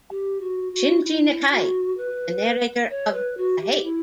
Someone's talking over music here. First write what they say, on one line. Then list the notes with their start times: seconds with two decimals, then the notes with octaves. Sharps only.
Shinji Nakae the narrator of the Hey!
0.10 G4
0.41 F#4
0.72 F#4
1.04 E4
1.51 F#4
1.97 B4
2.90 C#5
3.14 B4
3.37 F#4
3.60 G4
3.84 E4